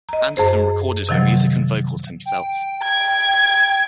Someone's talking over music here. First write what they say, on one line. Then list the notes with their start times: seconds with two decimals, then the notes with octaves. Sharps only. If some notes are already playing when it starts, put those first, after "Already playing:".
Anderson recorded the music and vocals himself.
0.09 D#5 A#5
0.37 F#2 G#4 C5
1.09 C3 D#3 F3 F#3
2.26 G5
2.83 G#6